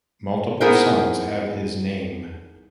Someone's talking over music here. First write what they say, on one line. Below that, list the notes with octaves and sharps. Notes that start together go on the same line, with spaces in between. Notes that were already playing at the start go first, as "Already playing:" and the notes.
Multiple sons have his name.
B3 D#4 E4 G#4 A#4 C5